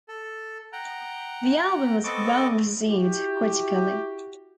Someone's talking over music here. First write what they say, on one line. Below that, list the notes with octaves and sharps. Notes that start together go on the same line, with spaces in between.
The album was well-received critically.
A4
F#5 G5 A#5
B3 C4 A4 D#5 C#6 D6
E4 F#4 G4